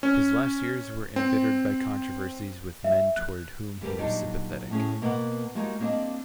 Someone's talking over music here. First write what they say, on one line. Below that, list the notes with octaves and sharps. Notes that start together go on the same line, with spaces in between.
His last years were embittered by controversies with men toward whom he was sympathetic.
C#4
C4
E5
F#6
D3 G3 G4 A#4 B4
A#2 F#3 G3 D4 D#4 D5
A2 C#4 G#4
B2 A#3 B3 D#5 F#5
G3 G#3 A#3 D#4 F#4
G3 A#3 C4 D4 D#5